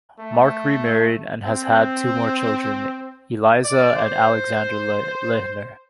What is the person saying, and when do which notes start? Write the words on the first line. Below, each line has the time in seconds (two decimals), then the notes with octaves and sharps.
Mark remarried and has had two more children, Eliza and Alexander Lehner.
0.19 A3
1.46 C4
3.64 D5
3.96 C5